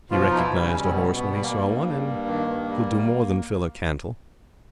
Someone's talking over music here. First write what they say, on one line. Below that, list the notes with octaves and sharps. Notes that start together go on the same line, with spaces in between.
He recognized a horse when he saw one, and could do more than fill a cantle.
B2 F3 F4
B2 D#4
E3 E4
G3
C#3 C#4
G3
C4
B2 B3
B2
B3
G3
B3
A#3
G3
G2
G3
G2
D#3
G2
G3